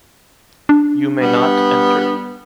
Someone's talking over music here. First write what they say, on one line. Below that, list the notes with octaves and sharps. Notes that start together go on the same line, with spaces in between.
You may not enter.
D4
G3 B3